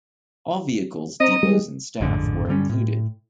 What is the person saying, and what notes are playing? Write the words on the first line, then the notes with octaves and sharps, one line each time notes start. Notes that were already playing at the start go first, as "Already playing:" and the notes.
All vehicles, depots and staff were included.
C4 D#5 A#5
G3 G#3
A1 F2 G#2 D3
G2 D3 G3 C#4
A2